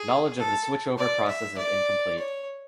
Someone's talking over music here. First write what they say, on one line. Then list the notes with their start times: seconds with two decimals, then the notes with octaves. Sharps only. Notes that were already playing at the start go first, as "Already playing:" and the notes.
Knowledge of the "switchover" process is incomplete.
Already playing: G#4
0.37 A4
0.98 D5
1.27 E5
1.58 D5
2.18 C#5